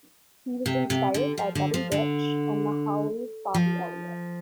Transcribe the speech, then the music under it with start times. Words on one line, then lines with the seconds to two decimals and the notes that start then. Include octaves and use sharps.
He was inspired by Buddy Rich and The Hollies' Bobby Elliott.
0.66 C3
0.90 C3
1.14 D3
1.38 F3
1.55 D3
1.74 F3
1.92 D3
3.54 F3